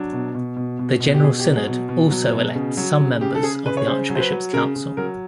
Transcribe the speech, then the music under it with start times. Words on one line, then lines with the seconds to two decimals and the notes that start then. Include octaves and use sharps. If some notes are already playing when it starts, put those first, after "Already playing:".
The General Synod also elects some members of the Archbishops' Council.
Already playing: F#3 D4
0.13 B2
0.35 B2
0.57 B2
0.79 B2
1.00 B2
1.14 G4
1.22 B2 G#4
1.40 G4
1.45 F#3
1.56 G#4
1.67 B2
1.89 B2
2.11 F#3
2.33 B2
2.55 C#3
2.77 F#3
3.00 C#3
3.21 C#3 G4
3.35 A4
3.43 C#3 G#4
3.65 C#3 B4
3.77 C#5
3.87 C#3 C5
4.10 F#3
4.16 C5
4.20 B4
4.31 F#3
4.53 C#3 A#4
4.76 C#3
4.97 F#3 A#4